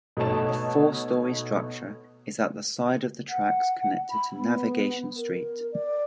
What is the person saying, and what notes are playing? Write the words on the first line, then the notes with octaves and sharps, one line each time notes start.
The four-storey structure is at the side of the tracks connected to Navigation Street.
B2 A3 D#4 C#5 A5 E7
F#5
B5
B3
A#4
D5